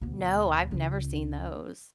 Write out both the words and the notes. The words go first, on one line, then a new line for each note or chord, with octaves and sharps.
No, I've never seen those.
D2 B2
C#2 C#4